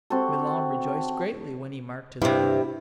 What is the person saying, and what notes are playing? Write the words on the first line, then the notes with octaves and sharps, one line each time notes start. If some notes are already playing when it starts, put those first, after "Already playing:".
Milon rejoiced greatly when he marked his own.
C4 F#4 G4 A4
G2 C3 E4